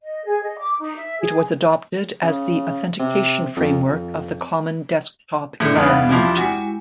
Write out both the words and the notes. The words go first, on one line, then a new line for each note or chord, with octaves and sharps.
It was adopted as the authentication framework of the Common Desktop Environment.
D#5
G#4
D#5
D6
D#4
E5
G#4
C#3
C3
F2
F2
A2 D3 E4 G#4
E2 G2 B3 D#4 F5 F#5
C4 F5
F3 E4 G4
G#3 E4 F#4 G#5